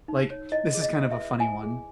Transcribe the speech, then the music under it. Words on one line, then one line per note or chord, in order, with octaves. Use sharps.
like, this is kind of a funny one,
D#4
C#5
E4 D#5
G#4
D#5
E4
E5
B4
E4 G#5
G#4